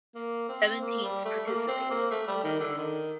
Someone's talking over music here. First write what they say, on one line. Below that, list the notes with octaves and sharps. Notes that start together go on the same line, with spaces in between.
Seven teams participated.
A#3
C4
A#3
G3
A3
A#3
C4
A#3
A3
G3
D#3
D3
D#3